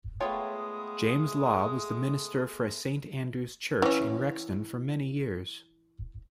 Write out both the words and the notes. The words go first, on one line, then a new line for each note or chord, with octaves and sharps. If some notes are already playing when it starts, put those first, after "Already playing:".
James Law was the Minister for Saint Andrew's Church in Rexton for many years.
G#3 A3 B3 F4 C#5 F5 G5 D#6
E3 C#4